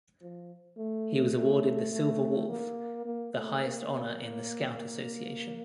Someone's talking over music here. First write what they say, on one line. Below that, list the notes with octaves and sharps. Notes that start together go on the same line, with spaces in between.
He was awarded the Silver Wolf, the highest honour in The Scout Association.
F3
A3
A3
A3
A#3
A#3
A3
A#3
A#3